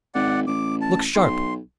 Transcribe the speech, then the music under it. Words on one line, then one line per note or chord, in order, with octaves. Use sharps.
Look sharp!
G#1 D5 F#5
A1 D6
A5
B1 C6